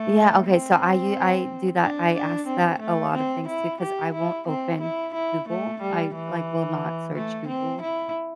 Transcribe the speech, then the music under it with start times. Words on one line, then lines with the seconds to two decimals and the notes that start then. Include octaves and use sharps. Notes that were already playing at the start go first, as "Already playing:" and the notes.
Yeah, okay, so I u I do that, I ask that a lot of things too 'cause I won't open Google. I, like, will not search Google.
Already playing: A3
0.47 C4
1.81 D4
2.14 D4
2.47 C4
2.80 A3
3.14 C4
3.48 E4
3.81 G4
4.14 E4
4.48 C4
4.81 E4
5.14 E4
5.48 A3
5.81 G3
6.15 E3
7.15 A3
7.47 C4
7.81 E4